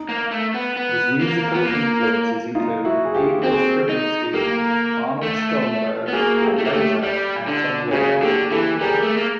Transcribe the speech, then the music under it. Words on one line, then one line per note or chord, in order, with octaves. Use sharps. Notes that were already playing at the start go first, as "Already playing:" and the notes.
His musical influences include Igor Stravinsky, Arnold Schoenberg, and later Anton Webern.
Already playing: D#4
A#3
A3
B3
B3
A#3
B3
A#3
D#4 F4
E4 F#4
G#4
F4 G4
C4 F#4 G#4
D#4
A#3 G4 A4
A3
B3
A#3 F#4 G#4
G4 A4
A3
A#3
A3 G4 A4
G3
D3
C#3 F#4 G#4
D3 G4 A4
E3 G4 A4
G3 G#4 A#4
A3
A#3